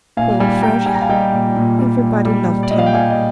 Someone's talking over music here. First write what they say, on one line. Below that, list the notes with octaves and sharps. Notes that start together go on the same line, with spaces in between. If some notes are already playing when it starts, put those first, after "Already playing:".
Poor Fred! Everybody loved him.
A#2 F5 G#5
G3 F5 G#5
G#5
G3 G5 A#5
G3 G#5
A#5
F5 G#5
G3 D#5 G5
A#2
A#2
G3
A#2
G3
G3
D5
A#2 D#5
F5
G5
G3 F5 G#5
D#5